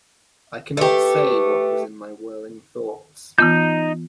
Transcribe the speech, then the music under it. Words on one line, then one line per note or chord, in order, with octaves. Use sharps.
I cannot say what was in my whirling thoughts.
A3 G4 B4
E3 B3 D#4 F4 G6